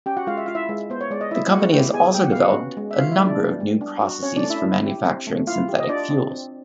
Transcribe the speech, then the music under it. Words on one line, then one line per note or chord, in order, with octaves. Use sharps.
The company has also developed a number of new processes for manufacturing synthetic fuels.
C#4 G4 G5
F#4 F#5
G#3 F4 F5
E5
F4 F5
E4 E5
G#3
B3 C5
C#5
G#3 D5
D#5
E4 E5
G#3 F#4 F#5
E4 G4 G5
B3 G#4 G#5
G4 G5
F#5
F5
B3
F#4 F#5
C#4
G#3
E5
F4 F#4 F5
E4 E5
G#3
D4 D5
B3
G3
D4
F#4
C4 C#4 C#5
D4 D5
A3
E4 E5
E4
G4
C4
A3
E4 F4 F5
G4
D#5
D4 F4 D5
C4
C4